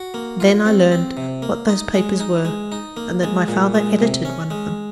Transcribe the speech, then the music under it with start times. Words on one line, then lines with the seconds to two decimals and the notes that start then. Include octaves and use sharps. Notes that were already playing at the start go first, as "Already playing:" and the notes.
Then I learned what those papers were, and that my father edited one of them.
Already playing: F#4
0.14 A#3
0.40 F4
0.66 C4
0.92 C4
1.17 C3
1.42 A#3
1.69 D#4
1.94 G#3
2.20 D#4
2.45 G#3
2.72 D#4
2.97 A#3
3.23 G#3
3.48 A#2
3.75 G#3
4.00 C3
4.25 C#4
4.50 G#3